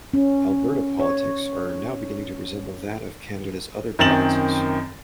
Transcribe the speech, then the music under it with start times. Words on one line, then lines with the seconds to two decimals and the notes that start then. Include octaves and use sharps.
Alberta politics are now beginning to resemble that of Canada's other provinces.
0.14 C#4
1.00 C#5
3.99 F#2 D#3 C4 A6 E7 F#7